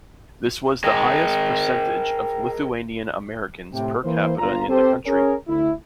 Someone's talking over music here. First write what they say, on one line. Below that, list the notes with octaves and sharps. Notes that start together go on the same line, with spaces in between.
This was the highest percentage of Lithuanian Americans per capita in the country.
G#4 A#4 D#5 G5
A2 C3 G5
E3 A#3 C5
G1 A#2 F4 A#5
C4 G4 A4 C5
C#4 G#4 A#4 C#5
D2 E4